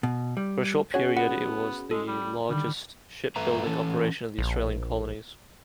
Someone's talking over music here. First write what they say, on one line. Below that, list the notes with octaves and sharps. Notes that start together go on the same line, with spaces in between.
For a short period, it was the largest shipbuilding operation in the Australian colonies.
B2
G3
C#4 F#4 G#4 C#5
B3 F#5
G#3 A4
G3
D3 D#3 G3
G2 A4 B4 E5 A#5
E3 C#4 A4
A#1